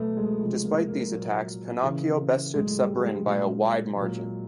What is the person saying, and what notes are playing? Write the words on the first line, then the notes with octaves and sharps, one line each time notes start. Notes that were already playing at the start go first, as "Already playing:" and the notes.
Despite these attacks Pennacchio bested Sabrin by a wide margin.
Already playing: B2 F#3 A3 B3
G#3
C3 F3 G#3
A#3
A#3
A#2 F#3
C#3 E3
A2 F#3 G#3
G3
G#3
G3
G#3
A#2 F#3 G#3
A#2 F#3